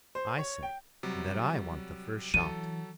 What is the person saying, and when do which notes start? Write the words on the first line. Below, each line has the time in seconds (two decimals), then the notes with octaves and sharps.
"I say that I want the first shot."
0.15 C5
0.39 C#5
0.63 G5
1.03 C3 F#3 G3
2.34 E3 F#3 A4 D#7